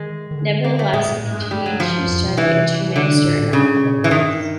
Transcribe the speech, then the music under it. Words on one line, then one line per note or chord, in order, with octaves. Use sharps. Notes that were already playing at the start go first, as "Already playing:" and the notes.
Nevertheless, he continued to study and to minister in non-public ways.
Already playing: D#3 G#3
D#3
D3
A#3
A3
A#2 G#3
A#2
A2
G#2
G2
G3
F#3
F3
F2
B2
C3 E3
D3
A2
A2
A#2 C#3
B2
A2
E3
G2 D#3